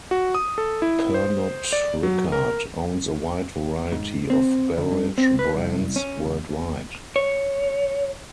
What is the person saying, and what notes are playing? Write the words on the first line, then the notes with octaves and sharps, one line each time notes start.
Pernod Ricard owns a wide variety of beverage brands worldwide.
F#4
D#6
A4
E4
C5
D5
F#3
A#4
G#2
C4
D2
G2
C4
B4
C2
C#4
C#2
C#5